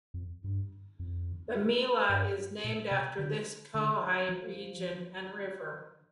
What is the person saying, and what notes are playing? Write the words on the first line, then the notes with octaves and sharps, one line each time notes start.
The Mela is named after this Khoai region and River.
F2
G2
F2
G2
A#2
C3
D3
D3
F3